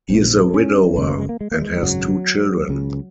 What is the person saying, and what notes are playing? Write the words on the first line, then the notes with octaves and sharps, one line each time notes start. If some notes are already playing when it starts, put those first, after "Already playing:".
He is a widower and has two children.
A#1 A#2 C4
C#4
F#1 F#2 C#3 G#3
A#3
G#3
A#3
G#3
A#3
G#3
G#1 F#2 C#3 F#3
C#2 C#3